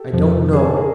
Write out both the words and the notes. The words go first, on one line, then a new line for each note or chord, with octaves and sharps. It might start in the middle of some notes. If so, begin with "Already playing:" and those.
I don't know!
Already playing: G4 A4
F2 C3 F3
G#4
A4
G#4 A#4